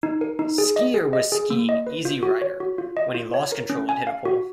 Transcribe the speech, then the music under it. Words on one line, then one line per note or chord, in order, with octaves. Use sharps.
Skier was skiing Easy Rider when he lost control and hit a pole.
D#4
A#4
D#4
G#4
D#5
G#4
D#5
G#4
A#3
D#5
B4
F4
F#4
C#5
F#4
F4
D#5
F4
C#5
A#4
C#4
G#5
F5
F#4